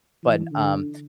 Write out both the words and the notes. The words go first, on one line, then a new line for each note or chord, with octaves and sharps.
but, um.
E3
D3